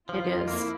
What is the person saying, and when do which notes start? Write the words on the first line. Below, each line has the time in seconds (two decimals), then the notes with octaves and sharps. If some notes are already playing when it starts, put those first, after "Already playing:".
It is.
0.08 F3 F4
0.28 F2
0.47 A#3 E4